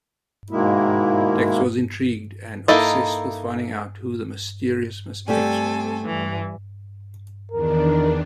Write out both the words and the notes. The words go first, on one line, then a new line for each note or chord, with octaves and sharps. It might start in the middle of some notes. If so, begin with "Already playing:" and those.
Tex was intrigued and obsessed with finding out who the mysterious Miss X was.
G#2 B2 D#3 G#3 A#3 E4
A#3 D#4 E4 A4 D#5
G3 A3 C4 G4 A4 G#5
G2 E3
E2 D#3 D4 A#4